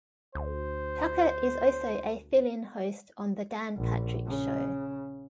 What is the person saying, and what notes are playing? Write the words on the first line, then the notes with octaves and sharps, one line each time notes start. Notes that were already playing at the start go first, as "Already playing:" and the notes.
Tucker is also a fill-in host on the "Dan Patrick Show".
D2 C5
A#1
C#3